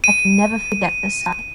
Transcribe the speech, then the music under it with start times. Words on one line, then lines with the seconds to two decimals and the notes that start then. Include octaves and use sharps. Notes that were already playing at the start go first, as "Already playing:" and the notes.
I can never forget the sight.
0.04 D#7